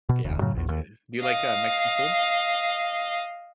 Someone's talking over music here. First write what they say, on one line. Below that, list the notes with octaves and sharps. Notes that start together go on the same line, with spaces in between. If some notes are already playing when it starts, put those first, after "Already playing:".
Yeah, it is. Do you like, uh, Mexican food?
B2
E1 D2
F#2 A2 C#3 F#3
A#1 E2
D#2
D#5 F5